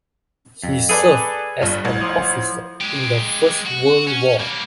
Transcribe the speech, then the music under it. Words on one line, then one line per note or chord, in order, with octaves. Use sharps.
He served as an officer in the First World War.
F2
G#4 A4 B4 D5
G1 G2 F4
A1
F3
G#3 G4
F#4
C#4
G3 A#3